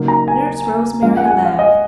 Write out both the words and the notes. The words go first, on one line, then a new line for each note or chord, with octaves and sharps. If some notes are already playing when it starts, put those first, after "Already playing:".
Nurse Rosemary laughed.
Already playing: C#3 F#3 A#3 D#4
A#5
G#5
F3 G#3 C#4 F5
F#5
G#5
F#5
F5
D#5